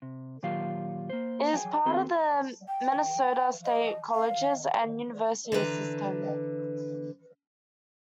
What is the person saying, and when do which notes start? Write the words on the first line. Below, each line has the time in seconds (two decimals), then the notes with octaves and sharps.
It was part of the Minnesota State Colleges and Universities System.
0.02 C3
0.43 A#2 D#3 F#3 F4 G4 F5
1.10 A#3 C5
1.54 G#4 G5 G#5
1.85 D#2 B3 C4 F#4 A4 C6
2.68 G5
3.65 D#5
4.13 F5
5.52 D3 E3 B4 A#5